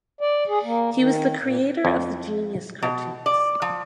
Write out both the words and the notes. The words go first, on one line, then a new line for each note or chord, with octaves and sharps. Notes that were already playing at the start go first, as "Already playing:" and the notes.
He was the creator of the "Genius" cartoons.
D5
G#4
A#3
D#3
A#2
F2
B2
D5
F3